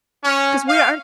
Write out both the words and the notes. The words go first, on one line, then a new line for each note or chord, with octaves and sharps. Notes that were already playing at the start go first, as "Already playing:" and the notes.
'Cause we aren't
C#4
F5